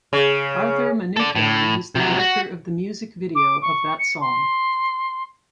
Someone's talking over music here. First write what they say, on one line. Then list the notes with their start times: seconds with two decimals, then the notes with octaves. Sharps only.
Arthur Manukyan was the director of the music video of that song.
0.13 C#3
1.17 A4 D5
1.36 A2
1.95 C3 F#3
2.19 F#4
3.35 D6
3.62 C#6
3.99 C#7
4.21 C6